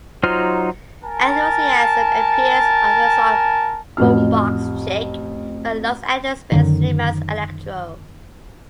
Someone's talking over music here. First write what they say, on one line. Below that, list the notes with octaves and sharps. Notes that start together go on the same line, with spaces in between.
Enthusiasm appears on the song "Boom Box Chic" by Los Angeles-based LeMans Electro.
F#3 D#4 F4 C5 F6
A#4 G#5 A5
A1 F2 F#4 F6
F#2 D3 D#3